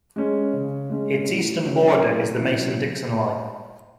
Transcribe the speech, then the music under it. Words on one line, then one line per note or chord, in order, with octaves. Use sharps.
Its eastern border is the Mason-Dixon line.
G#3 C#4
C#3
G#3 C#4
A2
F#3 C#4 E4
A2
F#3 C#4 E4